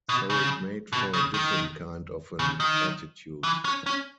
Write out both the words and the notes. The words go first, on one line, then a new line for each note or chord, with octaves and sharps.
So it made for a different kind of an attitude.
B2
C#3
B2
C#3
D#3
C#3
D#3
E3
C#4
C#4